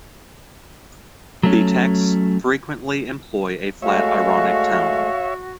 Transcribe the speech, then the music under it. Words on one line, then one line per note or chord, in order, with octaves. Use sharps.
The texts frequently employ a flat, ironic tone.
F#3 A3 C#4
G#3 A3 F#4 C#5 E5 F5